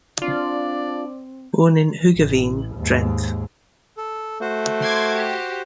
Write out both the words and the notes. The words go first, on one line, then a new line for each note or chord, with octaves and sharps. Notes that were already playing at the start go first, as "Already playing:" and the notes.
Born in Hoogeveen, Drenthe.
C4 D4 F4 D5
A1
D#2 G#2
A4
A3 F#4 C5
C6 D6 G#6
G4